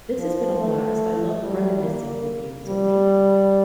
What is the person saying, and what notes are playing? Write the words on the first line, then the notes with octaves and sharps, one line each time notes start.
this has been a blast, I loved reminiscing with you, so thank you.
F3
A3
G3
A#3
G3